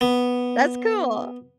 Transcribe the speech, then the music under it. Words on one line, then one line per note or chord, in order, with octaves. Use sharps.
That's cool.
B3